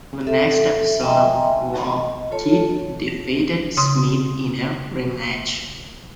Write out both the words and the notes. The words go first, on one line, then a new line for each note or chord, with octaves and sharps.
On the next episode of "Raw", Kidd defeated Smith in a rematch.
A4 E5
D#5 E5 G5 G#5 A#5 C6
D#5
F4 A4 C#5 A5
C#3 C6 D#6